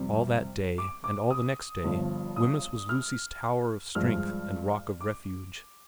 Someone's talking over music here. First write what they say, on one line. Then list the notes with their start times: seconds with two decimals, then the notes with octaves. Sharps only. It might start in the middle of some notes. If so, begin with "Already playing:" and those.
All that day and all the next day Wemyss was Lucy's tower of strength and rock of refuge.
Already playing: F2 C3 G3 C4
0.78 D6
1.04 D6
1.30 D#6
1.83 G1 G2 F3
2.36 D#6
2.89 F6
3.95 G2 F3 G#3 F6
5.01 D6